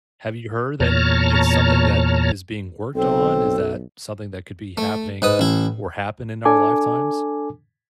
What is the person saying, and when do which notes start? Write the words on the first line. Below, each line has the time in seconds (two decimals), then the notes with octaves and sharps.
Have you heard that it's something that is being worked on? Is that something that could be happening or happen in our lifetimes?
0.80 E2 A#2 C#5 A5 A#5 F6
2.95 B1 C4 A4
4.77 A3
5.22 G#2 B4 D#6
5.39 A1 E4
6.45 D4 A4 G#5 D6